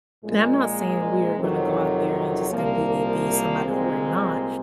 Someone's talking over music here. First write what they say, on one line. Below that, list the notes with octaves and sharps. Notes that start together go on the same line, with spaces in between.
And I'm not saying we are gonna go out there and just completely be somebody who we're not,
A#1 A#2 G#3
F2 C3 D#3 F#3
C2 A#2 F3 A#3
C2 A#2 G#3 C4